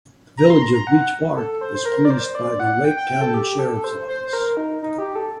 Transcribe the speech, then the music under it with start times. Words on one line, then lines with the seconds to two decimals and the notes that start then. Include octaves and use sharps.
The village of Beach Park is policed by the Lake County Sheriff's Office.
0.37 A#5
0.50 C6
0.62 A#5
0.74 A#5
0.87 F#5
1.36 A4
1.61 C5
1.74 C5
1.85 A#4
2.05 D5
2.10 C5
2.35 D5
2.60 F#5
2.84 G5
2.97 G5
3.10 G5
3.21 A4
3.34 G4
3.59 A4
3.84 C5
4.08 C5
4.27 C5
4.33 A#4
4.57 D#4
4.82 D#4
4.98 G4
5.15 A4